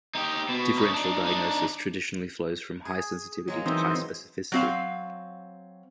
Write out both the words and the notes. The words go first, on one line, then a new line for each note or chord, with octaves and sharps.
Differential diagnosis traditionally flows from high sensitivity to high specificity.
D#4 G4
B2
C#4 D#4
D4 D#4
D4 D#4
G#4
F#3 G#3 A#3
E3 B3 C4 D#4
F#3 C4 F5